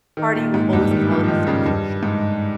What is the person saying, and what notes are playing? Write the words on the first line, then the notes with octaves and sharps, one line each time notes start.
party will always call it censorship
D#3
A#2
G#2
G2
D#3
F3
F3
D#3
C#3
G2
G#2